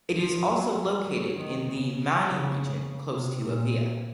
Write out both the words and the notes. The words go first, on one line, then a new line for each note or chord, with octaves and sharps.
It is also located in the Mani region close to Avia.
F3
F#3
G3
F#3
D#3
C#3
C#3
C3
A#2